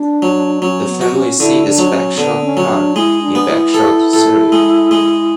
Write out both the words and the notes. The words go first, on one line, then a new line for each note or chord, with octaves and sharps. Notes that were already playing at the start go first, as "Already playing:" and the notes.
The family seat is Bagshot Park, near Bagshot, Surrey.
Already playing: D4
F#3
F#3 C#4
B3
F#4
C#4
D3 E4
D4
F#3
C#4
D3 B3
C#4
F#3
D4
G#3 E4
D4
B3
E4
A4
A4
G#3
G#3